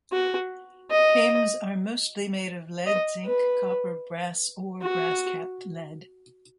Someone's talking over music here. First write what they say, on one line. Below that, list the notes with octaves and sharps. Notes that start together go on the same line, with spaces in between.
Cames are mostly made of lead, zinc, copper, brass or brass-capped lead.
F#4
D#5
D#5
B4
F#4